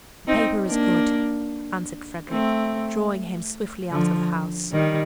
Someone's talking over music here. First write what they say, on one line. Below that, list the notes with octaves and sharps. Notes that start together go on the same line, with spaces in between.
"The paper is good," answered Frederick, drawing him swiftly out of the house.
C4 D#4
A#3 D4
A3 C4
D3 F3
D#3 G3